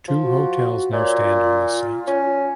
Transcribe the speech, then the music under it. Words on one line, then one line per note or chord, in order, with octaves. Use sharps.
Two hotels now stand on the site.
F3
F#4
A#2 C#5
F4
C#4